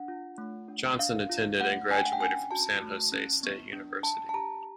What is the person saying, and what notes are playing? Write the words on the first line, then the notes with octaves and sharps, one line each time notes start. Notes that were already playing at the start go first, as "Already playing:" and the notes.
Johnson attended and graduated from San Jose State University.
Already playing: D4 F#5
F4
A3
D4
D4 F5
F4
A3 F#5
D4 G#5
G5
F#5
G5
C#4 G#5
F#4 A5
A3
C#4
B3
D4
D4 A5
A5
G4 A#5